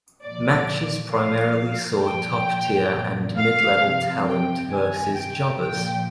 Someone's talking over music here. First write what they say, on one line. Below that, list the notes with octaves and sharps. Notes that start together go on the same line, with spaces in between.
Matches primarily saw top tier and mid-level talent versus jobbers.
A#2 F3 D5
A#2 F3 F5
A#2 F3 G5
A#2 F3
F5
C3 F3
G5
C3 D#3 G#5
G5
A#2 F3 G5